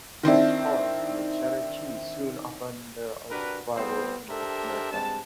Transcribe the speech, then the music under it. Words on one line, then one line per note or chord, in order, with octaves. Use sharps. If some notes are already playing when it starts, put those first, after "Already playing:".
British colonists made cheddar cheese soon upon their arrival in North America.
D#3 C4 D4 E4
C3 D4 F#4 A#4 B4
A2 G3 B3 C4 C5
D4 G4 A4 A#4 C5 E5
G2 G#3 C4 A5